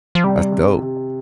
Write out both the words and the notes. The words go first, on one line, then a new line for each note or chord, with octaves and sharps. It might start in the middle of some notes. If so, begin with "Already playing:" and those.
That's dope.
F3
C3 G3
C3
C3